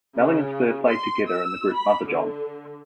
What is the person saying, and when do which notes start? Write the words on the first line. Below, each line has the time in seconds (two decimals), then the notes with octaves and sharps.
Melling and Spurr played together in the group MotherJohn.
0.18 C#3
0.90 C6
1.30 E6
1.76 B5
2.06 D3